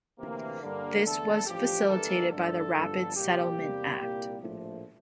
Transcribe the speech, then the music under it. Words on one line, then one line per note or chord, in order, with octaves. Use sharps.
This was facilitated by the Rapid Settlement Act.
D2 C3 E3 A#3
G2 D3 G3 A#3
E2 D3 A3 A4
A1 G2 F3 G4
G1 G2 E3 A#3 A4
G2 D3 A3 A4
G1 G2 D3 F3
C2 A#2 G3 A#3 G4
E2 C3 G3 A#3
C2 A#2 G3 A#3
A#1 A2 F3 A3